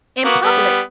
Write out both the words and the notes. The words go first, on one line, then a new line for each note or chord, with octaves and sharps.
In public.
A#3 B3 F#4
G3 B3